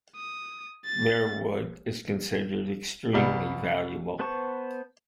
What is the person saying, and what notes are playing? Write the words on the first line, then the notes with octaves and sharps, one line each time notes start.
Their wood is considered extremely valuable.
D#6
A6
C2 G3 B3 G4
B3 B4 C5 A5 C#6